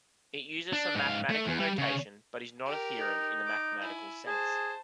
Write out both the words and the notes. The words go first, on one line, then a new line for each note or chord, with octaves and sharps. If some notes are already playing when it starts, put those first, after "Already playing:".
It uses some mathematical notation but is not a theorem in the mathematical sense.
D4
G#2 F5
A3
E2
G3
C#3 C#5
G4 A#4
D#4
D6
E4 G#5
G#4 C5 A5